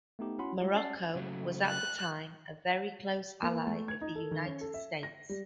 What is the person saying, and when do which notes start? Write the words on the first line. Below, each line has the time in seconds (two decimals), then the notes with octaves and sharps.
Morocco was at the time a very close ally of the United States.
0.19 A3 B3 D#4 G4
0.39 C#4 E4 F#4 F#5 B5 C6
0.61 G3 G#3 F4 G4
0.75 C#4 D5 F#5 A5 A6 C7
1.15 C#3 F#3 A3
1.66 F#6
3.42 A#3
3.67 A3
3.88 G#6
4.01 D#4
4.15 A4
4.31 D#3
4.46 C#4
4.61 A4
4.74 E5
5.03 A#6
5.29 G3